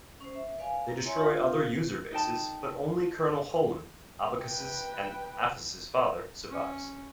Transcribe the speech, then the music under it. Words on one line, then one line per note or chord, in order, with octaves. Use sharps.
They destroy other User bases, but only Colonel Holon, Abakas' and Aphos' father, survives.
C#4 C5
E5
B4 D5 F5 G#5
A#5
E4 C#5 E5 G#5 C6
D4 F4 G4 F5
D#4 A4 G5 A5
B4 G5
C#4